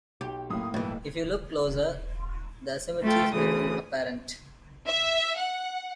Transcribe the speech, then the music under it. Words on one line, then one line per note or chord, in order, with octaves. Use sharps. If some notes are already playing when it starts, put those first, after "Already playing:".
If you look closer the asymmetries become apparent.
B1 G4
F#2 A2 A#3 D#6
B1 G2 E3
A3 F4 A4 G5
D2 C#3 E3 D#6
E5
F#5